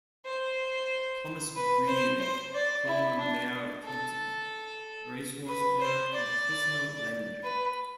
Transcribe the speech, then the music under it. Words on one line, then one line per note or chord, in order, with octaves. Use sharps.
Thomas Grealy - Former Mayor of Plumpton, racehorse owner and personal lender.
C5
B4
C5
C5
D5
E4
D4
A4
B4
C5
D5
B4